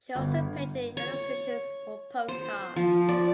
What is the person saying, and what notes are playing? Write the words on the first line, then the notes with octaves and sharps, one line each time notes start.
She also painted illustrations for postcards.
G1
C#5
C5
F3
D5